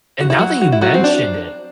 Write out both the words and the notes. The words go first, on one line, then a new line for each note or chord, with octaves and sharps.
And now that you mentioned it,
F#4
E4
F#3 F#4
F#4
E4
F#3 F#4
C4
D4